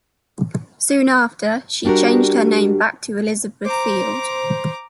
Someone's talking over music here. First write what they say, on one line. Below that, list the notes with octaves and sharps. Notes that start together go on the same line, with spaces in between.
Soon after she changed her name back to Elizabeth Field.
G3 D4 F#4 G4 A#4
C5 A#5 D6